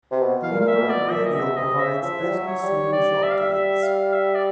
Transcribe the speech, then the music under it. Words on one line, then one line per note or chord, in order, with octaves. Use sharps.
Bloomberg Radio provides business news updates.
C3
B2
F5
A#2
F5
E5
B2
D5
A#2 E5
D#5
B2 E5
C3 D#5
C#3 E5
F3 E5
G3
F#3
C#5
G3
G3 D5
E5
F5
E5
E5
F5
E5
D5